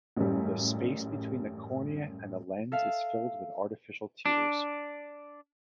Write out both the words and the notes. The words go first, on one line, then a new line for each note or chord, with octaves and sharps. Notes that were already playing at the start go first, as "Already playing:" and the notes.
The space between the cornea and the lens is filled with artificial tears.
A1 F#2 G3
A4 E5 F5
D4